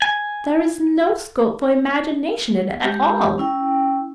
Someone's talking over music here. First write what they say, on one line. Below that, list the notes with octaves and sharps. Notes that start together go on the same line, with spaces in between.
There is no scope for imagination in it at all.
G#5
G#3 G4
C#4 E4 G5